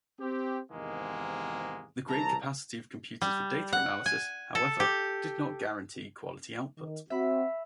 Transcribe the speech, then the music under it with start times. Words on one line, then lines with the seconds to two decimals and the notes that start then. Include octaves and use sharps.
The great capacity of computers for data analysis, however, did not guarantee quality output.
0.19 C4 G4
0.71 E2 G#2 C3 D#3 G#3 A#3
2.09 C2 E3 A5 A#5
3.22 G3
3.73 F#5
4.06 G#5
4.55 A4
4.80 G4
6.78 D#3
7.10 C4 F#4 E5 B5